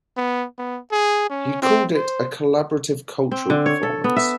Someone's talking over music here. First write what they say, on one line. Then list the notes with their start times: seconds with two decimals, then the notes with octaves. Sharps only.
He called it a "Collaborative Cultural Performance".
0.17 B3
0.58 B3
0.92 G#4
1.30 C#4
1.62 C4
1.95 C5
3.31 C4
3.50 D3
3.66 C#5
3.83 A4
4.04 B3
4.16 E5